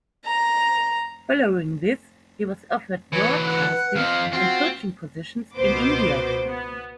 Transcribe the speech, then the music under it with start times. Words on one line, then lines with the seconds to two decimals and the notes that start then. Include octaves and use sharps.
Following this he was offered broadcasting and coaching positions in India.
0.25 A#5
3.13 E3 F#3 B4 C#5
3.46 F#5
3.95 F2 F3 F5
4.33 C4 F4 F#4
5.56 C#2 B2 B3 B4 C5 D6
6.46 B3